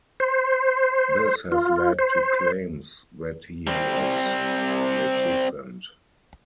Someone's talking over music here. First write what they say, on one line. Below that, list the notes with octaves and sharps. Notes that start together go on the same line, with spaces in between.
This has led to claims that he was reticent.
C5
F4
C5
G3 C4